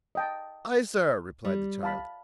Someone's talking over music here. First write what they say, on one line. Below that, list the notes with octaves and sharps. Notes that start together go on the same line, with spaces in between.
"I, sir," replied the child.
D#5 G5 A5
G3
F5 A5 B5